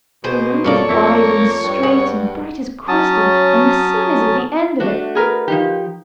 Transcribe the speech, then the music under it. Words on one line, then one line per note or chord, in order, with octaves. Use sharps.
The road is wide and straight and bright as crystal, and the sun is at the end of it....
B2 G#4 C5
G2 A#3 F4 A4 A#4 C#5 D5
F2 A#3 E5
G2
G#4 F#5
F#3 C#4 A5 D#6
A3 D4 F#4
G#4 A#4 B4
F3 D#4 G4